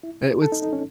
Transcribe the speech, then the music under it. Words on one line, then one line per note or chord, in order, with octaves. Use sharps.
It was
E4
A4
D#4
D#4
C#4